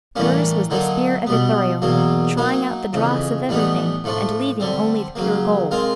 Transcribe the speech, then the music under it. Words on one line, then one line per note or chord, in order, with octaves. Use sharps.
Hers was the spear of Ithuriel, trying out the dross of everything and leaving only the pure gold.
A2 E3 G3 A#3 C#4
D3 F#3 A#3 D#4
B2 G3 B3
E2 B2 F#3 A#3
F#3 A#3 D#4
F2 C#3 E3
A2 E3 G3 B3 D#4
A2 F3 A3 D4
D3 G3 C4
C#3 F#3 A#3
G#3 C4 F4 A#4